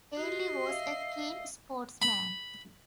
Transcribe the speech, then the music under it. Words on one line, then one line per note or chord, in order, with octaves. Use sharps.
Ainley was a keen sportsman.
F#4 G4 D#5 C7
E5 F5 E6
B5